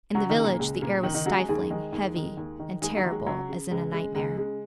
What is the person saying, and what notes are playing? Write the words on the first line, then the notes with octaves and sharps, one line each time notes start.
In the village the air was stifling, heavy and terrible as in a nightmare.
C#2 F#3 F#4
D#3 D#4
C#3
A#2 A#3
C#2 G#3
A#2 C#3 A#3
C#2 D#3 D#4
D#3 D#4
C#3 F#3 F#4
G#3 G#4
D#2 G#3 G#4
D#3 G#3 G#4
D#2
D#3
D#2
D#3
D#2 G#3 G#4
F#3
D#3
G#3
C#2 F#3
C#3
C#2 G#3
C#3 G#3
C#2 G#3
C#3 G#3